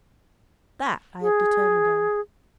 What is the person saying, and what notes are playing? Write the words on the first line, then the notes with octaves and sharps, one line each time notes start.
That I have determined on.
G#4